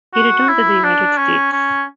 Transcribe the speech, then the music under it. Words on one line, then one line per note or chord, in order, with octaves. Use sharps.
He returned to the United States.
F#4
E4
D4
C#4
C#4